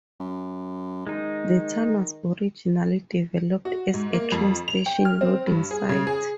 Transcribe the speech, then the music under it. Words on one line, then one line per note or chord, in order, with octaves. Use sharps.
The town was originally developed as a train station loading site.
F#2
D#3 G#3 D#4
F#4
G#2
A#3
F2
F7
G5
F6
C4
G2
G#4
C#3
G#4